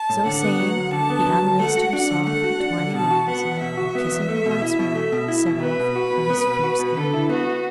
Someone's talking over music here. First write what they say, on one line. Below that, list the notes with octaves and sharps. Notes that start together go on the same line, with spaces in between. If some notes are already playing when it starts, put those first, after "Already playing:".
So saying, he unlaced her soft twining arms, and kissing her once more, set off on his fierce errand.
Already playing: A5
A2
D3 F#5
B3
F#3
D2
D3 A5
B3
F#3
D2
A3 F#5
F#4
D4 F#5
D3
A3 F#5
F#4
D4
D3
B2 A5
F#4
B3 F#5
E2
B2 E5
F#4
B3
E2
A3
B2
E4
B2
A3
B2
E4
B2
B3 B4
B2
F#4
B2
B3
B2
F#4
B2
D3 A4
E4
B3 F#4